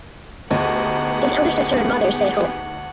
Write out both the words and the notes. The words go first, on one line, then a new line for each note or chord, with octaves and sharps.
His elder sister and mother stay at home.
D2 B3 D#4 G4 G#4 F#5